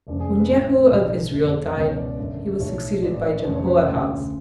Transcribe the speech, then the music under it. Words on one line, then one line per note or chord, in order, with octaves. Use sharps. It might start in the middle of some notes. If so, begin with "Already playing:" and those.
When Jehu of Israel died, he was succeeded by Jehoahaz.
F1 F2 C#3 D5
G#4
A4
B4
A1 A2 C#5
B1 A2 D5
F#1 F2 D3
C#2 B2 C#5
D5
G#1 F#2 D3
B1 A2 C#5
A1 G#2 D5
D5
F1 F2 C#3 C#5
C#5
B4
A4
D2 C#3